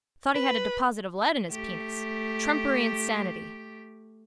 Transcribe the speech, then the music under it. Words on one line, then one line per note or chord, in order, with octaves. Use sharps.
Thought he had a deposit of lead in his penis. Trumpery insanity.
B4
A3 G4